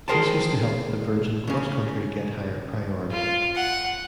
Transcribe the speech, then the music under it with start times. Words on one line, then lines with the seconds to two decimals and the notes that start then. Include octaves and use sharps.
This was to help the Virgin CrossCountry get higher priority.
0.08 G#4 A#4 C5 G5 A5
1.47 C#3 C#4
3.12 F4
3.55 F#5